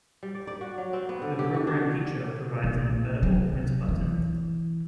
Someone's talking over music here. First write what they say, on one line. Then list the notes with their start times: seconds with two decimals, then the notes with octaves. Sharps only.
The program Peecho provides an embeddable print button.
0.23 G3
0.35 D5
0.47 D5
0.61 F#4
0.78 F#3
0.93 C4
1.09 B3
1.22 D3
1.39 G4
1.54 F#4
1.67 D4
2.64 A#1
3.23 F#3
3.89 E3